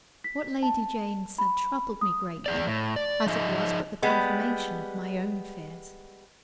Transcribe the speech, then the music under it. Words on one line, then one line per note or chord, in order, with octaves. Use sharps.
What Lady Jane said troubled me greatly, as it was but the confirmation of my own fears.
B6
A5
B5
D#6
E2 G#4 D5
A2
D5
F3 D#4 G#4 D#5 E5
G3 G#3 B3